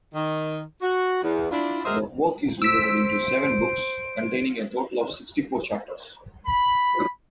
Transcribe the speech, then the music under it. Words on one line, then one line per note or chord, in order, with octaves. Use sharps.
The work is divided into seven "books" containing a total of sixty-four chapters.
D#3
F#4
E2
D4 E4 F4
F#3 G#4 A#4 C5 D#5 E5
C5 E6 B6 D7
B5